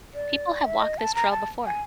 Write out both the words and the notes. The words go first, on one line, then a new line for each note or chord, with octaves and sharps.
People have walked this trail before.
D5
E5
D#5
A5
A#5
A5
G#5